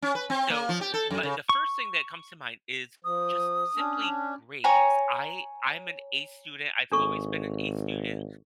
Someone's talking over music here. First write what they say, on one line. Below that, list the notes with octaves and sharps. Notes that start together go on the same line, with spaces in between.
So m the first thing that comes to mind is just simply grades. I I'm an A student. I've always been an A student,
C#4
B4
C4
A#3
F3
G4
A4
F#2
C#3
C#6
F3 D#6
C#4 D4
C#5 G#5 A#5
G#1 D4 A4 C#6